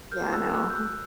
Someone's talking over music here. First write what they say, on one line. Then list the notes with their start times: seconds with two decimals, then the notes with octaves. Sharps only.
Yeah. I know, huh.
0.11 A#4 F6 G6
0.33 E6 F#6
0.54 F#4 E6 F#6
0.70 G6
0.75 E6 F#6